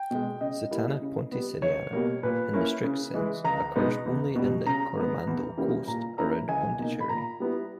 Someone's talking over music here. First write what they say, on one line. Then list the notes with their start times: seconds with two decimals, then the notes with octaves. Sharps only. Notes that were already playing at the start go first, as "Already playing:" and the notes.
"Sitana ponticeriana" in the strict sense occurs only in the Coromandel coast around Pondicherry.
Already playing: G5
0.11 B2 G#3
0.41 C#3 D#5
0.71 G3 A#3 E4
1.02 C#3
1.32 G3 B3
1.62 C#2 C#5
1.93 B2 G3 A#3
2.23 A#2 B4
2.53 A#3 C#4 E4
2.84 C#3
3.14 E3 G#3
3.45 C#2 A#5
3.75 B2 G#3 B3 D#4
4.06 E2
4.36 B2 G3
4.66 C#3 A#5
4.96 G#3 B3
5.27 E2
5.57 C#3 E3 G3 A#3
5.87 A#2 A#5
6.18 A#3 C#4 E4 A#5
6.49 C#2 G#5
6.79 B2 A#3 D#4
7.00 B5
7.09 A#2 A#5
7.40 G3 B3 E4